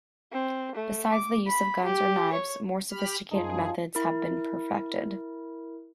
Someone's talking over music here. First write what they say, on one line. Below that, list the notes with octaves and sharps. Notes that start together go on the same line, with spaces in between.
Besides the use of guns or knives, more sophisticated methods had been perfected.
C4
A3
D6
B5
G4
C#5
G4 B5 F6
F#2 F3 D#4 G#4
E4 A#4